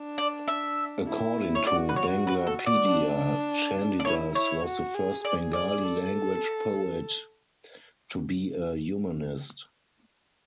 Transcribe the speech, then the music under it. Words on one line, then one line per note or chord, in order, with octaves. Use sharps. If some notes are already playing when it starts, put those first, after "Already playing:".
According to Banglapedia, Chandidas was the first Bengali-language poet to be a humanist.
Already playing: D4
D5
E5
E4
C#5
F#4 D5
B4
C#5
B4
A4
D5
D4
D5
E4 C#5
E4 C#5
F#4
G#4
G#4 D5
D5
A4